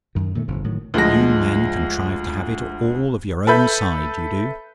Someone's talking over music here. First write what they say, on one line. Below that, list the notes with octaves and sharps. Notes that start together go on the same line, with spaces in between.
You men contrive to have it all of your own side, you do.
F#2 D#3
A#2 D#3 G#3 A3
G1 F2 A2 C3
A2 D#3 F#3
D2 F3 G#3 A#6
A4 B4 E5 B5 G6